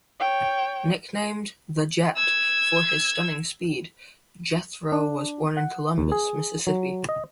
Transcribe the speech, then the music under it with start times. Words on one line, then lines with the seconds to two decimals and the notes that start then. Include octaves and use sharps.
Nicknamed "The Jet" for his stunning speed, Jethroe was born in Columbus, Mississippi.
0.20 C#5 G5
2.16 E6 G#6
4.92 D4
5.57 F#5
5.98 D#2
6.12 G#4
6.67 F#3
7.09 D#5